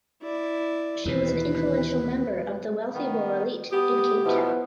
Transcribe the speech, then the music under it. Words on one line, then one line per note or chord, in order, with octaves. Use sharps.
She was an influential member of the wealthy Boer elite in Cape Town.
E4 D5
D#2 B2 E3 B4
D#3 B3
B3 G4 D#6
B2 F3 B3 E4